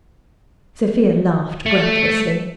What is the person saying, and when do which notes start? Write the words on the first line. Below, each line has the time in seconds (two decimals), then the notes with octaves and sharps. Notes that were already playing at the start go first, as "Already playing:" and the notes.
Sofia laughed breathlessly.
1.66 A3